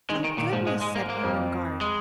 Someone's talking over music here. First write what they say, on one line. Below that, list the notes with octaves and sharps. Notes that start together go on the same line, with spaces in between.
"Oh, goodness!" said Ermengarde.
D#3 G#3
D#3
A#2 D#3
G#2 F3
G#3
G#3
A#3
A#3
F2
G#3